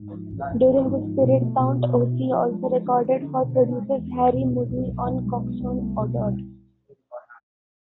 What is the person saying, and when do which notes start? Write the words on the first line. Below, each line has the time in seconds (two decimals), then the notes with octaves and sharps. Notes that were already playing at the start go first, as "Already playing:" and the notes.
During this period Count Ossie also recorded for producers Harry Mudie and Coxsone Dodd.
Already playing: G#2
0.11 F3
0.30 A1
0.48 A1
0.66 F3
0.84 G#2
1.03 F3
1.21 B2
1.39 A3
1.57 B2
1.76 B2
1.94 B2
2.12 E4
2.31 F3
2.49 G#3
2.67 F3
2.85 D3
3.04 F3
3.21 D3
3.41 B2
3.59 C4
3.77 G#3
3.95 E2
4.13 E2
4.32 B2
4.50 A2
4.69 B1
4.86 B1
5.05 B1
5.23 G#3
5.41 B3
5.60 C2
5.78 A3
5.96 B2
6.15 C2